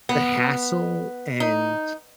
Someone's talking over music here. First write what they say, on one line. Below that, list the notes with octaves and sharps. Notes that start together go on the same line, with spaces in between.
the hassle and
B3
D#4